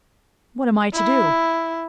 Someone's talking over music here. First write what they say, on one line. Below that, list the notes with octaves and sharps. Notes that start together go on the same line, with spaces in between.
"What am I to do?"
E4